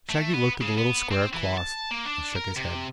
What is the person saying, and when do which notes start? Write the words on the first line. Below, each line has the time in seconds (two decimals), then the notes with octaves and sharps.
Shaggy looked at the little square of cloth and shook his head.
0.09 A3
0.34 B3
0.62 C#3
0.78 B3
1.11 C4
1.33 E3
1.57 A5
1.91 A#3
2.06 D4
2.36 A#4
2.57 C3